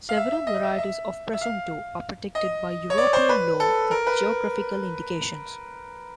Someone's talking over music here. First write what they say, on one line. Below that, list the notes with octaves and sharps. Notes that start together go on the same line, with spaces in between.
Several varieties of "presunto" are protected by European law with geographical indications.
F5
E5
E5
D#5
E5
E5
E5
F5
D#5
C#5
D5
C5
B4
A4
A#4
B4